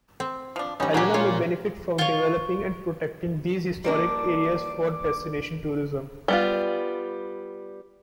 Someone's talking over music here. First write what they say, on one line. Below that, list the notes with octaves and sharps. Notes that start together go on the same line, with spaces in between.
Helena may benefit from developing and protecting these historic areas for destination tourism.
C4
F3 D4
G3 B3 C#4 D#4
A#2 C#3 F#3 A#3 D4 G4 G#5 A#5
F4 C#5
F4 C#5
G3 A#3 D4 D6
G3 B3 F4